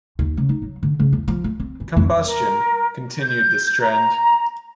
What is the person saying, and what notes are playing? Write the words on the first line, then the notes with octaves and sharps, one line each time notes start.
"Combustion" continued this trend.
D#2
C#3
D#4
F#3
D3
C#3
E2
F3
A3
C4
E3
F2
A#4
G6
A#5